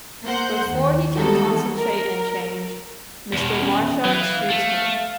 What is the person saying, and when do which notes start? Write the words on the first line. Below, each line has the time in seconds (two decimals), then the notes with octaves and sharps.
Before he can concentrate and change, Mr. Marshak shoots him.
0.24 A#3 C5 F#5 G6
0.70 D#2
1.16 E3 G3 G#3 D#4 F#4 A4
1.76 A#4
3.33 E2 B2
3.62 C#4
4.05 E3 F#3
4.21 F5
4.50 A3